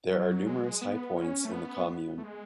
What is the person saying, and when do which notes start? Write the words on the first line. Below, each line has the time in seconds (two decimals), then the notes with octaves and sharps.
There are numerous high points in the commune.
0.11 F#3
0.46 G#3
0.82 B3
1.17 C#4
1.45 A3
1.52 B3
2.18 A3
2.23 G#3